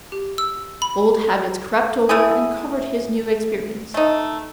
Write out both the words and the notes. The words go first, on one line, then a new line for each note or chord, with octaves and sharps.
Old habits crept over and covered his new experience.
G4
E6
B5
A3 B3 E4 G#4
A3 D#4